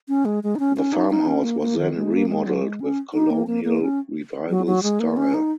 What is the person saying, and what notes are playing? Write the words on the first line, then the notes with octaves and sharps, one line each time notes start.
The farmhouse was then remodeled with Colonial Revival style.
C#4
G#3
G#3
D#4
C#4
C#4
D#4
D#4
C#4
A#3
A#3
D#3
G#3
A#3
G#3
F#3
G#3
C#4
D#4
A#3
A#3
A#3
C#4
F#3
F#3
G#3
A#3
C#4
D#4